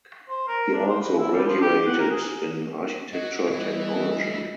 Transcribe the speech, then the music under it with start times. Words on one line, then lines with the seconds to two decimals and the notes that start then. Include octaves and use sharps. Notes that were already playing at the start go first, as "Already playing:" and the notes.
He also graduated in architecture technology.
0.29 C5
0.47 A#4
0.73 D4
0.88 C5
1.00 B4
1.18 E4
1.32 G3
1.47 F3
1.61 G4
1.87 F#5
1.99 A#4
2.11 G#4
3.14 F#3 D#5
3.51 E3 G3 B3 E4